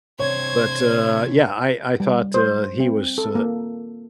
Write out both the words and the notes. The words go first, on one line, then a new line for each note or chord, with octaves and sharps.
But, uh, yeah, I I thought, uh, he was uh,
C3 D4 C5 C#5 G#6
G3
C5
C4
A4
A#3